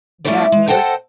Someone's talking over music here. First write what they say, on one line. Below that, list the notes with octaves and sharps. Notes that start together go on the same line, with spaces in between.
Isn't that weird?
G3 A3 C#4 E4 C5 D5
G#3
A4 C5 D#5 F#5 G5 A5